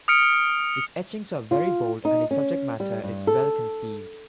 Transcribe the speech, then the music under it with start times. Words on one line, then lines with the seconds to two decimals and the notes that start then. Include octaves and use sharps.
His etchings are very bold and his subject matter is well conceived.
0.08 D#6 F6 C#7 D7
1.51 F4
2.05 D#4
2.31 C#4
2.80 G3
3.04 G2
3.27 A4